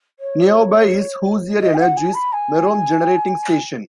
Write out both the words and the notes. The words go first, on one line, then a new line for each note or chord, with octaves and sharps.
Nearby is Hoosier Energy's Merom Generating Station.
C#5
D#5
G#5
F#5
G#5
B5
G#5